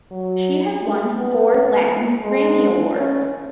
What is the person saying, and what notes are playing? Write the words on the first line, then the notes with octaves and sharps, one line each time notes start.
She has won four Latin Grammy Awards.
F#3
G#3
B3
G#3
C#4